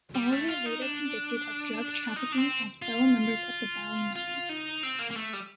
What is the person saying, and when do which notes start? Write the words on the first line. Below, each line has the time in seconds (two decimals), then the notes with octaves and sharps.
All were later convicted of drug trafficking as fellow members of the Bali Nine.
0.15 G3
0.32 A3
0.49 F4
0.66 D#4
0.82 D4
2.16 D#4
2.32 D4
2.38 C4
2.82 F4
4.16 F4
4.49 D#4
4.83 C4
4.99 A#3
5.11 A#3
5.17 A3
5.33 G3